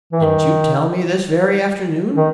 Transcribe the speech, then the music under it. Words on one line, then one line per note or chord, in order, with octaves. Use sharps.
"Didn't you tell me this very afternoon?"
E3
D#3
D#3